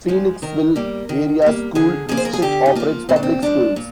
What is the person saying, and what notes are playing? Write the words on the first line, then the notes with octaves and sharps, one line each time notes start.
Phoenixville Area School District operates public schools.
F3 G#3
D#3 A#4
G3 A#3
D#3
G3 A#3
D3 G#4
F3 A#3 G#4
C5
A#4
G#4
D3 G4
D#4
F3 A#3 F4
A#2 C4
D4
C4
F3 G#3 D4
A#2